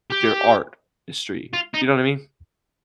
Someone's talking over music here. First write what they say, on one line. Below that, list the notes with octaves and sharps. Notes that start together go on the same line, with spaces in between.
your art history, you know what I mean?
G4
F4
D#4